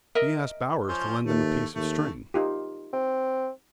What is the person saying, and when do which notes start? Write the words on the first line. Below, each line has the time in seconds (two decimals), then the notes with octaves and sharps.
He asked Bowers to lend him a piece of string.
0.15 A#4 D#5 E5
0.89 F3 C#4 C5
1.25 D#2 A3
1.76 D#2 A3
2.34 D#4 F4 G4
2.93 C4